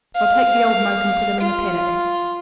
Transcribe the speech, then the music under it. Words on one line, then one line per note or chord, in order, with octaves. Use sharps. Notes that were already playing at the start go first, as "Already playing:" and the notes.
I'll take the old moke and put him in the paddock.
F5
F4